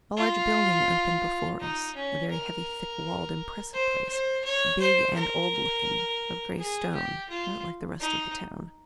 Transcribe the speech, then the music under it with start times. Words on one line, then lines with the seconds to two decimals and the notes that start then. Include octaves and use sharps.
A large building opened before us, a very heavy thick-walled impressive place, big, and old-looking; of gray stone, not like the rest of the town.
0.17 F4
1.60 D#4
1.95 C#4
2.31 A#4
3.73 C5
4.09 C5
4.44 C#5
4.80 C5
5.15 A#4
6.58 G#4
6.94 G4
7.29 F4
8.00 D#4